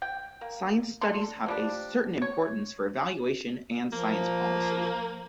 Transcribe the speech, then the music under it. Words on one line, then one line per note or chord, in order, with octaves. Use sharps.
Science studies have a certain importance for evaluation and science policy.
G5
A#3
D4 A4 C6
F3 G3 D4
C#5
F3 A#3